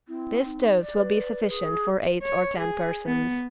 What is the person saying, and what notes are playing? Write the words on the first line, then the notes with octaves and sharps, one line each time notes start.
This dose will be sufficient for eight or ten persons.
C4 E4
D#4
D5
B4
G#4
C#5
G#4
B3